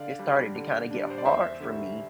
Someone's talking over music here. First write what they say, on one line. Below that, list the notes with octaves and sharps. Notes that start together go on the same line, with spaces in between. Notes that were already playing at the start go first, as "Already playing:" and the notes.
it started to kinda get hard for me,
Already playing: D3 D5 F5
G3 D4
D3
G3 D4
C5
D5
E2 C5 E5
D3 G3